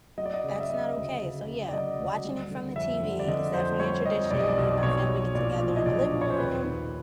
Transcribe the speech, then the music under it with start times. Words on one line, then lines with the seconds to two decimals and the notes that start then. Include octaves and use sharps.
That's not okay, so yeah, watching it from the TV is definitely a tradition, me and my family get together in the living room
0.18 F#3 D#5
0.26 D5
0.34 D#5
0.44 C#3
0.60 E5
0.70 F#3 D#5
0.96 D2
1.21 C#3
1.47 C#3
1.69 D5
1.73 F#3 D#5
1.99 D2
2.24 G3
2.51 D3
2.76 F2 E5
3.03 D3
3.20 D5
3.28 D3 D#5
3.54 F2 C5
3.79 G3 C#5
4.06 F2 D#5
4.31 B1 D5
4.39 D#5
4.48 D5
4.57 B1
4.83 B1 C#5
5.09 B1
5.35 A#2 D5
5.61 F3
5.76 D#5
5.86 B1 D5
6.12 A#2
6.21 C#5
6.30 C5
6.38 D#2 B4
6.64 D#3